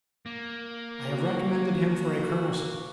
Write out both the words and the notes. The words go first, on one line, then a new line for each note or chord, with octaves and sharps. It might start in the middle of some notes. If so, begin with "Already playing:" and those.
I have recommended him for a colonelcy.
A#3
F#4